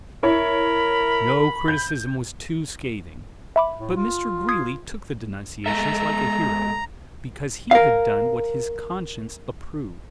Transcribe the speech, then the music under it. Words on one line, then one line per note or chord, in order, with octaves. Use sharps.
No criticism was too scathing; but Mr. Greeley took the denunciations like a hero, because he had done what his conscience approved.
E4 A#4 C#5 B5
G6
E5 B5 D6
A2
F4
D#6 G#6 C7
G#3 A4 E5 A#5
A#4 F5